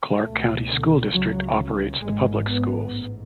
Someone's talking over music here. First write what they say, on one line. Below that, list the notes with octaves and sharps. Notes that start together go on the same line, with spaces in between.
Clark County School District operates the public schools.
C#2 B2 A3
D3
C#2 C#3 F#3
G#1 G#2 G#3
B3
A1 G#2